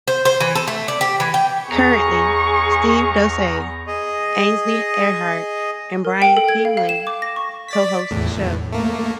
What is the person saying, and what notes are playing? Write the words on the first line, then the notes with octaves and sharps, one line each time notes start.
Currently, Steve Doocey, Ainsley Earhardt, and Brian Kilmeade cohost the show.
C5
C5
E3
A4
A3
D5
G4
E3
G5
E2 G#4 A#5 C#6
G#4 D#5
A#4
G5
A4
G#6
F5
F5
E7
D6
A#6
C#6
D5 A6 B6
E2 A2
A3 A#3